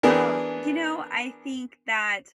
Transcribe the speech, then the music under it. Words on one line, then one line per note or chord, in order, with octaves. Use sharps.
Oh, you know, I think that
E3 B3 D4 G#4 A#4